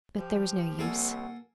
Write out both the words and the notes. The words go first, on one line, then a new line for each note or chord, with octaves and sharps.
But there was no use.
F3 G4
C2 A#3 A4 F#5 G#5